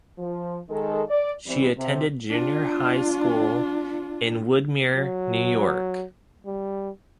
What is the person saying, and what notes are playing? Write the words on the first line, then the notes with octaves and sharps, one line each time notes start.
She attended junior high school in Woodmere, New York.
F3
D#3 G#3 A4
D5
E3 G3 C4
C3
D4 F4
F#3
G3